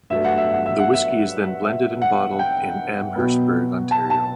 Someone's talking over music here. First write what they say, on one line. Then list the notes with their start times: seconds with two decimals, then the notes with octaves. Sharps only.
The whisky is then blended and bottled in Amherstburg, Ontario.
0.10 G2 F#3 A3 E5
0.25 F#5
0.37 E5
0.52 F#5
0.66 E5
0.79 F#5
0.93 E5
1.63 E5
2.02 F#5
2.39 G5
3.15 B2 F#3 B3
3.91 A5
4.10 A5